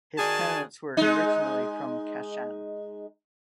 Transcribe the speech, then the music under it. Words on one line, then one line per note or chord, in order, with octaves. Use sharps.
His parents were originally from Kashan.
D#3 F#4 G#4 D5 G#5 A5
G#3 D#4